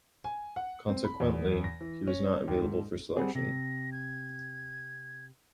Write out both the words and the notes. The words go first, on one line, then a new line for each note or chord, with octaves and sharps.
Consequently, he was not available for selection.
G#5
F#5
C4
B5
E2
A#6
E3
C#4
D#2
G#2
G3 C4 G#4 F#5
C3 A#6
G#6